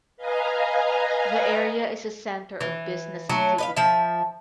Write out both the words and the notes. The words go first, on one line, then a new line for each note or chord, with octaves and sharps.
The area is a centre of business activity.
B4 D#5 F5 G#5 A#5
E3
F#3 A3
B4 D#5 F5
F3 E5